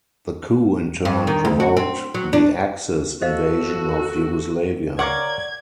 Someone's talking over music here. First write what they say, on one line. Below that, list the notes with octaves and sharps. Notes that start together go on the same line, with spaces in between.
The coup in turn provoked the Axis Invasion of Yugoslavia.
G2
D#3
D2
F#4
C4
F#3
D4
F#4 A4 C5 D#5 F5
A#4 C#5 D5 F5 F#5 D6 G#6